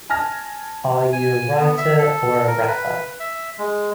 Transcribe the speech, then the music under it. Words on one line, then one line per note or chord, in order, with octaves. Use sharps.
Are you a writer or a wrapper?
G#5 A5 F6 A#6
G#5
B3
E5
A4
A#4
B4
E5
G#3